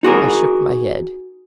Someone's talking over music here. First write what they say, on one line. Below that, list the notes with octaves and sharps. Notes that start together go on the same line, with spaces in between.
I shook my head.
D#4 F#4 G#4 A#4